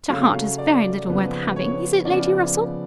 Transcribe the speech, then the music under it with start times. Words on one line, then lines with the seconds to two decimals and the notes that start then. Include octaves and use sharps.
Such a heart is very little worth having; is it, Lady Russell?
0.09 C#3 F#3 A3 F5
0.58 D5
1.07 C#3 F3 B3
1.56 C#5
2.05 C#3 F3 B3 D5